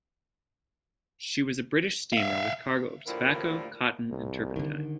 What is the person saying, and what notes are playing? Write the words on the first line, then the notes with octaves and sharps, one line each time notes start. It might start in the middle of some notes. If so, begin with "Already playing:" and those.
She was a British steamer with cargo of tobacco, cotton, and turpentine.
E5 F5
D2 A2 F3 G3 A#3 A#4
C2
D3 D#3